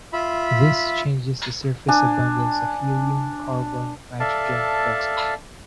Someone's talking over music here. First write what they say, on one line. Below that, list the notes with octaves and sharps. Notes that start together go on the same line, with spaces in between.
This changes the surface abundance of helium, carbon, nitrogen, and oxygen.
F4 E5 B5
D4 G#5
A4 D5 E5 F5 A5